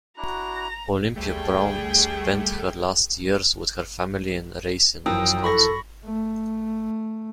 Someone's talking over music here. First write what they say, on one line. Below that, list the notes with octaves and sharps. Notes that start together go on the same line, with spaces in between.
Olympia Brown spent her last years with her family in Racine, Wisconsin.
D4 E4 F#4 A#5 F#6
D2 G3 A3 G#4 G5
F#2 E3 F3 A#4 G5 D#6 E6
A4 B5 C#6 A#6
A3